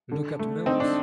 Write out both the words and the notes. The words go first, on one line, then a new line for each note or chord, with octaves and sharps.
Look at Mills!
D3
A3
D3 C4 D#4
D4